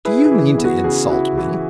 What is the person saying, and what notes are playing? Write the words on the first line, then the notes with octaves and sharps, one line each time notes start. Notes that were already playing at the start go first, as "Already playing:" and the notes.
"Do you mean to insult me?"
E4 G#4 B4
G#4 B4
E3
G#4
B3
F#4
C#3 G#4
E4 F#4
E3 F#4